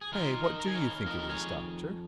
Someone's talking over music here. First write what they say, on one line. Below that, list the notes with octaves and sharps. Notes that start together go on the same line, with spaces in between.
"Pray, what do you think it is, doctor?"
G#4
D#3 F4 A#4
A#4 D#5
D#3 A#5
G#5
C#5 F5
F2 A#4 D#5
A#4
G#4 C#5